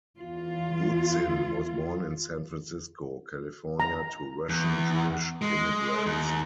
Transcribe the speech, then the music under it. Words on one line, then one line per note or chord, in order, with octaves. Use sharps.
Bootzin was born in San Francisco, California to Russian Jewish immigrants.
E2 F4
A#5
E2
G#3
D#2